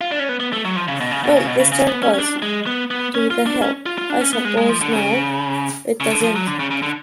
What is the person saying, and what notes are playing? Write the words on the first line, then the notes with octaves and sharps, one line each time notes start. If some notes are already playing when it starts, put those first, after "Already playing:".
Well, this turn goes to the hill, I suppose—no, it doesn’t!
F4
D4
C#4
B3
B3
A3
F#3
F3
C#3
B2
C#3
B2
C#3
B2
C#3
C#3
B3
C#4
C#4
D4
G#3
B3
B3
C#4
F4
D4
C#4
F4
F4
D4
C#4
B3
G#3
G#3
F3
D3
C#3
C#3
D3
F3
F#3
D3
C#3
C#3
D3